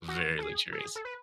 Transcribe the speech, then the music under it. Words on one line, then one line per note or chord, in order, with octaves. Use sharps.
Very luxurious.
F#4
A4
G#4
A4
G#4
A4
B4